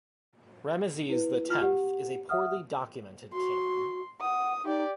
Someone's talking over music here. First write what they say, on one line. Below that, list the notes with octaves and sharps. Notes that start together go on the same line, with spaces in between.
Ramesses the Tenth is a poorly documented king.
E4 B4
F4 F6
G4 F#5
E5 F#5 D#6 F6
F#4 C6
F#5 D#6
D#4 G4 D5